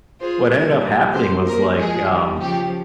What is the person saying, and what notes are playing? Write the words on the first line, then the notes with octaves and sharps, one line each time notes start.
what ended up happening was like, um,
F4 G#4 C5
G3 A#3 A#4
C5
G3 A#3 A#4
F3 G#3 G#4
D#3 G3
C#3 F3 G4